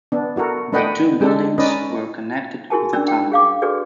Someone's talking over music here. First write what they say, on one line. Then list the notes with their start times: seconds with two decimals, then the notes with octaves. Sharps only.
The two buildings were connected with a tunnel.
0.12 B3 D4
0.36 E4 F#4 A4 A#4
0.72 A3 D4 B4 D#5 F#5 G5
1.21 G#3 D4 G4 A4
1.58 C#4 D#4 B4 D5 D#5
2.70 E4 F#4 G#4 A#4 G#5 A5
2.93 C#4 D4 D5 E6
3.08 G5
3.32 G#4 F5 D6
3.62 F#4 G#4 A4 B4 D5